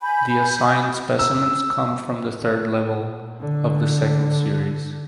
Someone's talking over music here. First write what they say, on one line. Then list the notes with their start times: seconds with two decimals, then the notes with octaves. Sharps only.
The assigned specimens come from the third level of the second series.
0.01 G#5 B5 G6
1.19 E6
2.97 A#2
3.40 D3